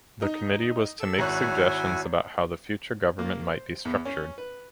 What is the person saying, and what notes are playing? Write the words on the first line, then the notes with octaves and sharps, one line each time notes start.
The committee was to make suggestions about how the future government might be structured.
D#4
A4 E6
G#1 E4 F#4 C#5 G#5 F#6
A#3
C5
E2
C#4
B4